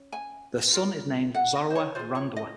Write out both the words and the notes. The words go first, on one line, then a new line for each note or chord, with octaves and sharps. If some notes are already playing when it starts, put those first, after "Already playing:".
Their son is named Zorawar Randhawa.
Already playing: C#4
G#5
F4 A#4
F#5
D#5
C5
C#5
F4 G#4 C5
C#5
D#5